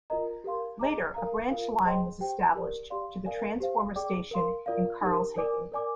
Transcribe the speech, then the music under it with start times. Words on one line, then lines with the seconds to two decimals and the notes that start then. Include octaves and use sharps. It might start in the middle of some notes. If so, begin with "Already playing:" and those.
Later, a branch line was established to the transformer station in Karlshagen.
0.10 F4 A#4 D#5 A#5
0.44 G4 A#4 F5 C6
0.79 G#4 D#5 A#5 D6
1.14 A#4 F5 A#5
1.50 F4 A#4 F5
1.85 G#4 C5 D#5 G5 C6
2.20 G4 C5 G5
2.55 G4 A#4 D5
2.90 G4 D5 F5 C6
3.26 A#4 D5 F5 G#5
3.60 G4 C5 F5
3.96 G#4 D5 G5 D6
4.31 A#4 F5 C6
4.66 F4 A#4 D5 F5
5.01 D#4 G4 A#4
5.36 A#4 D5 G#5 D6
5.72 A#4 D5 G#5 D6